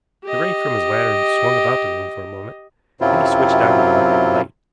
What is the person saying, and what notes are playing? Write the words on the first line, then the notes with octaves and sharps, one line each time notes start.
The ray from his lantern swung about the room for a moment, then he switched on the electric light.
G4 D#5
F#2 C3 F#3 C4 E4 F4